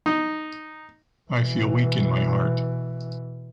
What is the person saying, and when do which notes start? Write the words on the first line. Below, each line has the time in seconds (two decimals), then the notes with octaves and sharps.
I feel weak in my heart.
0.06 D#4
1.31 B2 E3